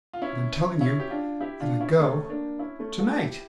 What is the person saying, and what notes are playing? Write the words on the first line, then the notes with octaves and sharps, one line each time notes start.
"But I'm telling you that I go tonight."
F4
C#4 E4
C#4 E4
G4
D4 F4
E4 G4
D4 F4
C#4 E4
A3 C#4
A#3 D4
C#4 E4
A3 C#4
F4 A4
E4 G4